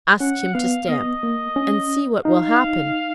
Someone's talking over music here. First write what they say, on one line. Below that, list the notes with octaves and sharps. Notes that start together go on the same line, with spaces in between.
Ask him to stamp, and see what will happen.
C#4 F#5
B3 F5
B3 D#5
A#3
C#4
D#4 F5